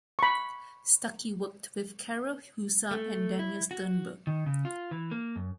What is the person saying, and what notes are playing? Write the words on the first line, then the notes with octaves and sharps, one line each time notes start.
Stucky worked with Karel Husa and Daniel Sternberg.
B5 C#6
A3
E4
F#4
D#3
C#3
F4
E3
A#3
F#2